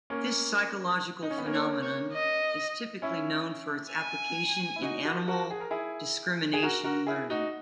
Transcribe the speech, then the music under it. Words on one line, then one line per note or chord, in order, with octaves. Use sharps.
This psychological phenomenon is typically known for its application in animal discrimination learning.
A#3 C#4
D#4
C#4
B3
A#3 C#4
C#5
C#5
D#5
C#4 E4
G#5
E4
D#4 F#4
F#4 A#4
F#4 A#4
G#4
A#4
E4 G#4
G#4
F#4 A#4
F#4 A#4
E4 G#4
D#4 F#4